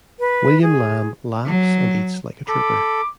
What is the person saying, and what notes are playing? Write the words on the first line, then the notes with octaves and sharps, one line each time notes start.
William Lamb laughs and eats like a trooper.
B4
G#4
F#3
A4 B5 D6